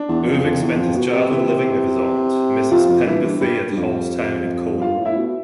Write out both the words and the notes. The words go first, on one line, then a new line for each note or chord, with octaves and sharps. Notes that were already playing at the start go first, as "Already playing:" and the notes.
Irving spent his childhood living with his aunt, Mrs Penberthy, at Halsetown in Cornwall.
Already playing: D4
E2
F2
F2
E2
F2
B2
C3
E3 E4
C3 F3 F4
F2
G2 E3 E4
G2
G2 G3 G4
G2
F2
G2 F4 F5
A2
E4 E5
B2